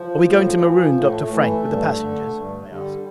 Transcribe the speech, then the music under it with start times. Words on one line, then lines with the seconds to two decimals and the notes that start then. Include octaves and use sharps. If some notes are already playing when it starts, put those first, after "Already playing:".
"Are we going to maroon Dr. Frank with the passengers?" I asked.
Already playing: F3
0.25 A2
0.59 E3
0.94 A2 A3
1.28 E3 A3
1.64 G2
1.99 D3
2.33 G2
2.68 D3 G3